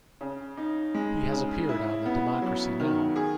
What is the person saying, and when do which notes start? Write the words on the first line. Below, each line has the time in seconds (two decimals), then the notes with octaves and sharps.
He has appeared on the Democracy Now!
0.21 C#3
0.57 D#4
0.95 G#3
1.32 C#3
1.69 E4
2.06 B3
2.42 F#3
2.80 D#3
3.16 G#4